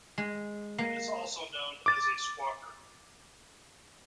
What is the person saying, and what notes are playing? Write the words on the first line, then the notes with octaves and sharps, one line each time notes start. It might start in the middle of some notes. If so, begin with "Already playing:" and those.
It is also known as a squawker.
G#3
A#3
D6 A6